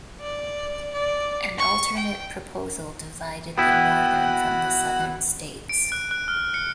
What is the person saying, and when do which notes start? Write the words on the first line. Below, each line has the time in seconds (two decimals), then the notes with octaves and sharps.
An alternate proposal divided the northern from the southern states.
0.21 D5
0.93 D5
1.58 C#6
1.97 G5
3.58 B3 E4 F#4 G5
5.69 D7
5.92 F#6
6.11 F#6
6.28 F6
6.54 C#7